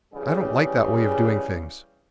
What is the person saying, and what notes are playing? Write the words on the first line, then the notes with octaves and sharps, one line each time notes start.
I don't like that way of doing things.
C#3 E3 G3 G#4